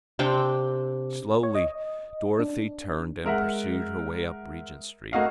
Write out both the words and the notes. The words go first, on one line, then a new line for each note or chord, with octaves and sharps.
Slowly Dorothy turned and pursued her way up Regent Street.
C3 C4 D4 G5
C#5
D#5
D4
G#3 A#4 E5 F#5
A3 A#3 F#4 D#5 F5 F#5